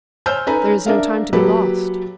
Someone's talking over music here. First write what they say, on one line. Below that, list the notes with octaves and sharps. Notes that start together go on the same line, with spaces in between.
"There is no time to be lost."
C5 C#5 G#5 E6 F6 G6
C#4 D#4 A4 B4 G#5 A#5
D4 A#4 E5 F5
F#3 A#3 G4 A4 B4